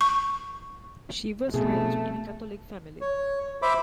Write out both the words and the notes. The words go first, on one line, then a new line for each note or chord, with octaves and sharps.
She was raised in a Catholic family.
C#6
F1 B2 A3 G#4
C#5
C5 E5 B5 D6